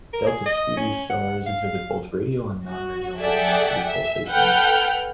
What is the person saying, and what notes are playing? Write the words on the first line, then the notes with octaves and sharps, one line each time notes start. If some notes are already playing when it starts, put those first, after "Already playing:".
Delta Scuti stars exhibit both radial and non-radial luminosity pulsations.
A#4
G#4
D#5
C#4
F#5
F5
F#4
G#4 A4 D5 E5 F#5 G5
E5
A4 B4 F#5 G5 F6 G6